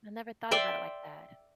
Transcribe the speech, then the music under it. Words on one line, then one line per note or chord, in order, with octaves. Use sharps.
I never thought about it like that.
D5 E5 G5 C6